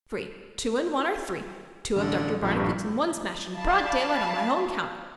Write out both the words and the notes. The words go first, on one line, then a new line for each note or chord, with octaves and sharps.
Three--two and one are three--two of Dr. Barnicot's, and one smashed in broad daylight on my own counter.
A1 D3
A#1 F2
A#1 G2 C3
D5 F5 A5 B5